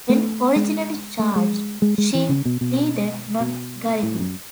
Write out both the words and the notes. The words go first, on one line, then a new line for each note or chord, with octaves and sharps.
When originally charged, she pleaded not guilty.
A3
G#3
A3
G#3
G#3
G#3
E3
C#3
B2
B2
B2
A2
F#2